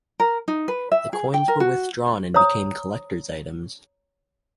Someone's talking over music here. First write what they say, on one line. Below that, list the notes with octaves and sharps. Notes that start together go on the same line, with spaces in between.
The coins were withdrawn and became collectors' items.
A#4
D#4
B4
E5
G#4
G5
A#4
F#4
C5 C#5 A#5 D#6